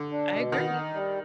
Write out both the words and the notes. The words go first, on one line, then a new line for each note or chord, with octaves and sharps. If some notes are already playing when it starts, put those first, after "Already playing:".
I agree.
Already playing: D3
D4
B2
D#3 B3
D#4
G3